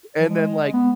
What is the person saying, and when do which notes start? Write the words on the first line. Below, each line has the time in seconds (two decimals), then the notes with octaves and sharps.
and then, like
0.20 F3
0.29 G#3
0.73 B3